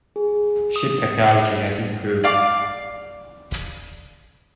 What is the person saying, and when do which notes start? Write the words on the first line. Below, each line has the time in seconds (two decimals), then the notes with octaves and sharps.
Ship technology has improved.
0.16 G#4
0.76 D#6
2.24 D5 F5 D6